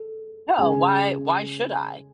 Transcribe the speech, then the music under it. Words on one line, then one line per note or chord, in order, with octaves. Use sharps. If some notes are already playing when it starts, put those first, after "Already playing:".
No, why why should I?
Already playing: A4
C#3 G#3 C#4 G#4 G#5